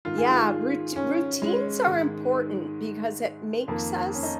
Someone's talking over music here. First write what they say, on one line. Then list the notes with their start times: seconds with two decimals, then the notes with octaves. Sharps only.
Yeah, rout routines are important because it makes us,
0.05 G#2 D#3 F4
0.18 G#4
0.30 F4
0.96 C#4
1.42 G#3
1.86 G#2 D#3
3.68 F2 D#3 A#3
4.14 C#4
4.23 D#4